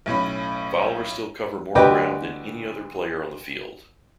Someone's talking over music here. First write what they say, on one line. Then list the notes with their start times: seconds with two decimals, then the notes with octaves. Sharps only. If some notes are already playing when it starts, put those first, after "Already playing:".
Followers still cover more ground than any other player on the field.
0.06 B1 A2 C#4 B5
1.75 D2 G4 B4 D#5 G5 D6